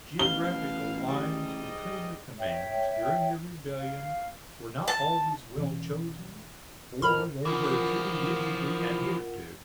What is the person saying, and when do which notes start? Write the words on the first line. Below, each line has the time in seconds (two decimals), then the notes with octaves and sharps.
Geographical lines between the commands during the rebellion were not always well chosen, or they were too rigidly adhered to.
0.19 A1 B2 F5 G7
1.07 G#2 G3 D#5
2.39 C#5 E5 G5
3.78 F5
4.88 A5
5.58 B2 E3 C#4
7.02 F2 A2 A#4 B5 F6
7.45 E3 F3 F4 A#4 F#5